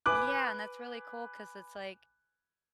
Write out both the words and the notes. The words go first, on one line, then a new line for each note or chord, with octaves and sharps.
Yeah, and that's really cool 'cause it's like
B4 G#5 D6 F#6